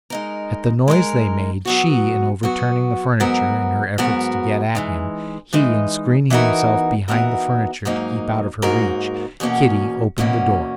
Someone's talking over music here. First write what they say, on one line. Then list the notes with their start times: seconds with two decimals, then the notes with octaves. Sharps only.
At the noise they made, she in overturning the furniture in her efforts to get at him, he in screening himself behind the furniture to keep out of her reach, Kitty opened the door.
0.10 G#3 D#4 A#4
0.88 G#3 D#4 A#4
1.65 F#3 B3 F#4
2.43 F#3 B3 F#4
3.20 G#2 F#3 B3 F#4 A#4
3.98 G#2 F#3 B3 F#4 A#4
4.75 E3 G#3 D#4
5.53 E3 G#3 D#4
6.30 E3 B3 D#4 F#4 A#4
7.08 E3 B3 D#4 F#4 A#4
7.85 G#2 F#3 A#3 D#4 A#4
8.62 G#2 F#3 A#3 D#4 A#4
9.40 E2 B2 A#3 C#4 F#4
10.18 E2 B2 A#3 C#4 F#4